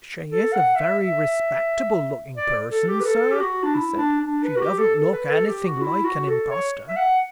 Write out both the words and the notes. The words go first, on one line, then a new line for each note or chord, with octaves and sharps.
"She is a very respectable-looking person, sir," he said; "she doesn't look anything like an impostor."
A4
F#5
E5
E5
D5
A4
G4
B4
A4
G4
F#4
D4
E4
D4
D4
B4
F#4
G4
A4
A4
B4
A4
G4
F#4
E4
F#4
A4
C#5
E5
F#5